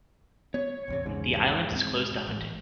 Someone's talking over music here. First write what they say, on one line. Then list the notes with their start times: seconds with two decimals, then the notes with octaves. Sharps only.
The island is closed to hunting.
0.54 B3 C#5
0.88 A1 E2 C3
1.06 A#1 E2 G#2 C#3
1.72 D#2 C4
2.27 A1